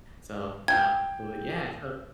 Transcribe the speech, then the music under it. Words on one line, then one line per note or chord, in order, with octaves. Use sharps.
So, uh well, yeah, so
G5 G6 G#6